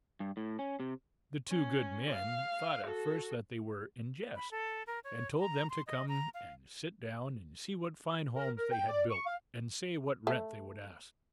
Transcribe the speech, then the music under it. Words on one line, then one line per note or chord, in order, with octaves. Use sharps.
The two good men thought at first that they were in jest, and told them to come and sit down, and see what fine homes they had built, and say what rent they would ask.
G2
A2
C#4
C3
C#4
F5
F#4 A4
B5
A4
A#4
C#5
A#5
C6
D#5
A#5
F5
A#4
A#4
G5
D5
C#6
F5
A3